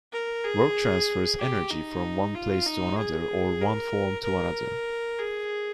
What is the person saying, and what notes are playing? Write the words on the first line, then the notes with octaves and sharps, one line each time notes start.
Work transfers energy from one place to another or one form to another.
A#4
G#4
G4
D#4
F4
D#4
G#4
A#4
A#4
G#4